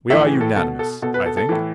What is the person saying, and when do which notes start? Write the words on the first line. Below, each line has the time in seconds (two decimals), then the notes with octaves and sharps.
We are unanimous, I think.
0.10 A2 E5
0.13 E3
0.25 G#4
0.41 A4
0.56 B2 A4
0.79 A4
1.02 B2 A4
1.14 B4
1.26 A4
1.37 A4
1.49 A2 E3